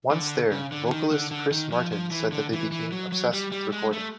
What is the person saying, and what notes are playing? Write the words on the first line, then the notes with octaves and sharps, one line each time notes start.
Once there, vocalist Chris Martin said that they became obsessed with recording.
D3
C#3
D3
E3
D#3
D3
D3
D#3
F3
F3
E3
D3
E3
E3
F#3
F#3
G3
G3
G#3
A3